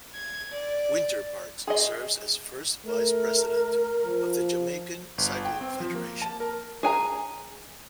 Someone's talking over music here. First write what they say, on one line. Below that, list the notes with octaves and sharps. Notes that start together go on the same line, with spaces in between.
Wynter-Parks serves as first vice-president of the Jamaican Cycling Federation.
G#6
D5
G#4 D#5
A3 A#4
F3
G1
G5
C4
F3
A#3
A5
A#4
G#4 G#5 A#5